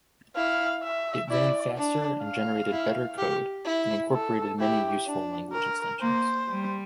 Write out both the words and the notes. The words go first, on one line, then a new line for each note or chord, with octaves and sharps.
It ran faster and generated better code and incorporated many useful language extensions.
E4 F5
E5
E4 D5
D4
F5
E4
G4
E4
A4
E4 G4
D4
A#4
A#3 C5
G3